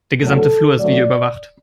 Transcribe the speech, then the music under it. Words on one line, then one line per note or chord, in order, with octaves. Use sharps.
Der gesamte Flur ist videoüberwacht.
E2 D3 F#3 A3 A4
D2 D3 F#3 A3 D5